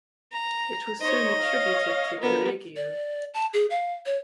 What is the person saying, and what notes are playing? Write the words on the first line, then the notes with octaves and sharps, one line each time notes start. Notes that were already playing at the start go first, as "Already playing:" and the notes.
It was soon attributed to Correggio.
A#5
D#4 C5 C#5 D#5
C#5 F5
D3 F3 B3 A#4
D5
A5
G#4
F5
C#5